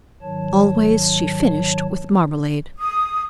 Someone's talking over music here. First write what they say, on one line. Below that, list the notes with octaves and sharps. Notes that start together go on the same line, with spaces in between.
Always she finished with marmalade.
G#2 D#3 F#3 C#5 A5
D#6